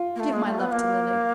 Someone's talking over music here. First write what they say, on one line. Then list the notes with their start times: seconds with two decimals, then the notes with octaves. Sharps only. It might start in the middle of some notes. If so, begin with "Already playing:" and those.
Give my love to Lily.
Already playing: F4
0.15 A#3
0.19 A3
0.33 G#3
0.45 A3
0.58 B3
0.71 A#3